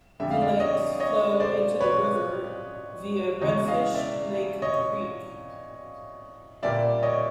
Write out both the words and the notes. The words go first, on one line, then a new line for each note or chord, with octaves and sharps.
The lakes flow into the river via Redfish Lake Creek.
F2 D3 G3 E5
F5
D5 E5
C#5 D#5
C#5 D#5
C5 D5
B4 C#5
E2 C#3 E3 G#3 C#5 D#5
D#5 F5
D5 E5
C#5 D#5
A#2 G3 D5 E5
C#5 D#5